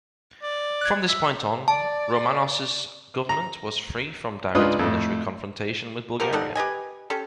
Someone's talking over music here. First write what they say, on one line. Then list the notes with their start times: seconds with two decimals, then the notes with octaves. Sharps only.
From this point on, Romanos' government was free from direct military confrontation with Bulgaria.
0.43 D5
0.81 F#6 G#6
1.09 E5 B6
1.68 D5 A5
3.29 A#5
4.55 C#2 D4 D#4 F4 B4 D#6
4.79 F2 A2
6.20 F3 F#4 G4 A#4
6.33 G3 D#4 A4 F#5
6.55 G4 B4 D#5 G#5
7.10 C#4 G4 A4